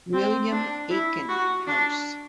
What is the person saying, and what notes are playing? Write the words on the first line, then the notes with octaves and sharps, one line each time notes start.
William Aiken House.
C4
D4
E4
F#4
D4